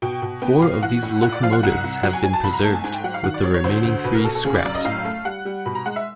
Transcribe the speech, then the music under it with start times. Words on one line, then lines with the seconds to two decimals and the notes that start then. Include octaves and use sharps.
Four of these locomotives have been preserved, with the remaining three scrapped.
0.02 B2 G5
0.22 B2
0.42 B3 G5
0.62 B2 F5
0.83 E3 F#5
1.03 A2
1.23 A#2 F#5
1.32 D5
1.43 F3 F5
1.53 F#5
1.63 C2 F#5
1.84 C2
2.03 F#3 F#5
2.13 G#5
2.23 F#3 G#5
2.33 A5
2.44 C2 B5
2.53 A#5
2.64 A3 A5
2.74 G#5
2.84 G#2 G#5
2.94 G5
3.04 F#3 F#5
3.14 F5
3.24 D#3 F#5
3.34 D5
3.44 F#3 C#5
3.54 C#5
3.64 D2 C5
3.84 D2
4.04 B2 B4
4.15 A#4
4.24 B2 A4
4.35 A4
4.45 C#3 G#4
4.54 D5
4.65 F#2 D5
4.75 D#5
4.85 A2 F5
5.05 A3
5.25 G3 F#5
5.45 G3
5.66 B2 B5
5.75 A#5
5.86 G#3 F#5
5.96 E5